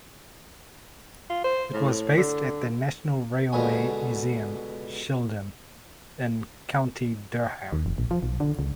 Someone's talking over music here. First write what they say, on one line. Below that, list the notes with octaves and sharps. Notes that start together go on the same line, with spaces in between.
It was based at National Railway Museum Shildon in County Durham.
F4
C5
A2
D3
C#2 B2 D3 B3 C#5 G#5
D#2
F1
A#1
F3
B1
D3
C#2